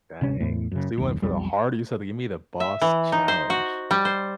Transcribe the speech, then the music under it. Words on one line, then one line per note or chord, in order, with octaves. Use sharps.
Dang, so, you went for the harder. You said to, "Give me the boss challenge,"
D1 C3 C#4
E2 A2 A3
F#2 C#3
F#1 D#2
B1 F2 G3
E5
E3
D#4
C5
F#4
G3
C5